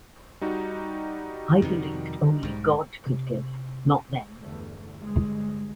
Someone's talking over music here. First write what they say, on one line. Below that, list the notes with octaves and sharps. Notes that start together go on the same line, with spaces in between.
I believed only God could give, not them.
G3 D#4 F#4
F2 C3 D#3
B1 G#2
C3
E2 G2 D3 A3
G1 D2 G#3